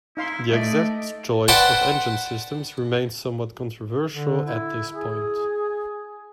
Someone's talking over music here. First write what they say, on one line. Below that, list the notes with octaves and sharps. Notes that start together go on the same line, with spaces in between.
The exact choice of engine systems remains somewhat controversial at this point.
D#4 E4 F5 C6
A3 D5 D#5
B4 C5 D5 F#5 G5 A5
D3
E4
G#4